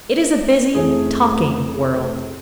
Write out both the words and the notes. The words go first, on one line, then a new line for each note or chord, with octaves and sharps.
It is a busy, talking world.
F1 E3 A3 G#4